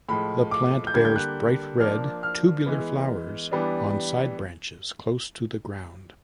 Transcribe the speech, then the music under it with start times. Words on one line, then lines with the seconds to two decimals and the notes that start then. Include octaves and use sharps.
The plant bears bright red, tubular flowers on side branches close to the ground.
0.09 A2 F3 G#3 B5
0.51 D6
0.87 G6
0.94 D3 G3 A#3 G#6
1.05 G6
1.16 F#6
1.80 F3 A#3 D4 F6
2.23 F6
2.66 E3 G#3 B3
3.51 E3 G3 B3 D4